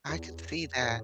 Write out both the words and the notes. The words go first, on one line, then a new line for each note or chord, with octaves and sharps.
I could see that.
E2
A2